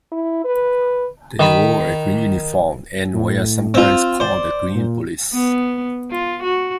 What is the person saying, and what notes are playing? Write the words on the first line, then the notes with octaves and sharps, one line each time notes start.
They wore a green uniform, and were sometimes called the "Green Police".
E4
B4
D#3 B5
A2
C4 F4
C5 D5
A#2
B3
F4
F#4